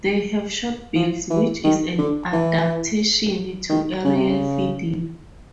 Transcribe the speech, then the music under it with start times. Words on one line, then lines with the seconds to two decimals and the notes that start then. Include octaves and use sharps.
They have short bills, which is an adaptation to aerial feeding.
0.95 F3
1.30 E3
1.64 D#3
1.98 D3
2.33 E3
3.70 D#3
4.05 C#3
4.16 C3
4.29 C#3